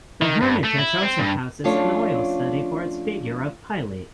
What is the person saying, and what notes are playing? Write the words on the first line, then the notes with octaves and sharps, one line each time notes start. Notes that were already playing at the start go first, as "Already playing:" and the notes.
The Hermitage also houses an oil study for its figure of Pilate.
D#3
G2
A3
E4
C4
G2
F3 A3 C#4 D4 F4 C#5